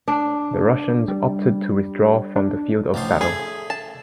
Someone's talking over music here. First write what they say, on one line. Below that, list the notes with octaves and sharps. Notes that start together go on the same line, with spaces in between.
The Russians opted to withdraw from the field of battle.
D4
G3
D4
A1 F3 C6
A3 G#4
A5